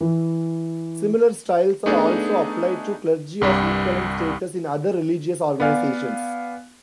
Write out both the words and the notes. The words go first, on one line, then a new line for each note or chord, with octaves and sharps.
Similar styles are also applied to clergy of equivalent status in other religious organisations.
E3
A3 B3 D4 D#4 G#4
C2 G2 G3
B3 D5 F5 G#5